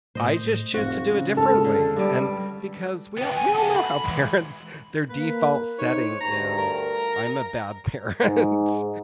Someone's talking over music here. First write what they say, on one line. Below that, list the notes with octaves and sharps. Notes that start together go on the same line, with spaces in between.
I just choose to do it differently, and because we all we all know how parents, their default setting is, "I'm a bad parent",
A2 C5 D#5
F1 F#4 C5 F5
C#3
G#3 A4 F6
D3
G2 G3
B3 G4
F2 G#5
F#4 A4
B5
E3 G#3
A#3 B4
D#4 C5 C#5
D2 G2 A#5
A#4
G#2